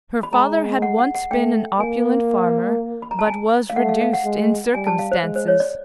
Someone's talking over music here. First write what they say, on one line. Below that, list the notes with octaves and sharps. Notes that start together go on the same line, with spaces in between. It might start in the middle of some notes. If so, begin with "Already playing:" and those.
Her father had once been an opulent farmer, but was reduced in circumstances.
B5
G#3 A#5
F#5
F#5
F#5
A3 G5
A#3 G#5
B5
A#5
A5
G#5
F5
A3 F#5
F5
F5
F#5
G#3
G3 G#5
A5
F5
C5
G#3
C5
C#5
D5